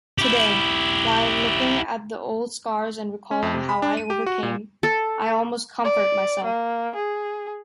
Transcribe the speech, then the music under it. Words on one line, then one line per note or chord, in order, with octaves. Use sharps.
Today, while looking at the old scars and recalling how I overcame, I almost comfort myself.
E4 G4
C#4
F2
C3
B5
D4
D#7
G4
F#4
A#2
A4
D5
A#3
G#4